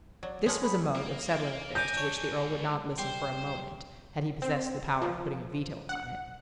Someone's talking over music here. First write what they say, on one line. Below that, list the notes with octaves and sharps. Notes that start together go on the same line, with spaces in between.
This was a mode of settling affairs to which the Earl would not listen for a moment, had he possessed the power of putting a veto upon it.
F#3 D5
F2 G#3 A3 C#5 F#5 F6
B5
A#3
C#2 G#5 A#5 D6 G6
D4 C#5
G3 C5 C6
C4
F3
F#5